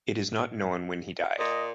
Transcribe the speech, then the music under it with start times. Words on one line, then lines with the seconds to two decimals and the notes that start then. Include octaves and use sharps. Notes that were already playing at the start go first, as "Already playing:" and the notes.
It is not known when he died.
1.39 A#2 D#5